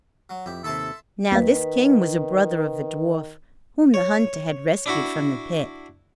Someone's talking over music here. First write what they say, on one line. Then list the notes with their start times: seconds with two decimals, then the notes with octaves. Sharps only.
Now this King was a brother of the dwarf whom the hunter had rescued from the pit.
0.29 F#3
0.46 F2 E4 G4
0.64 D#2 C3 A4 E5 A5 C6
1.32 E2 D#3 A#3 B4
3.94 C#5
4.86 D4 E4 F#4